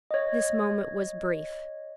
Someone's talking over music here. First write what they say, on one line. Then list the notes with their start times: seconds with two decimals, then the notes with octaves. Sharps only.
This moment was brief.
0.11 C#5 D#5